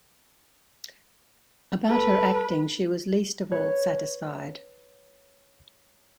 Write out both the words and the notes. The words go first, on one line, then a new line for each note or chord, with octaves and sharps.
About her acting she was least of all satisfied.
A4 B4
B4 C#5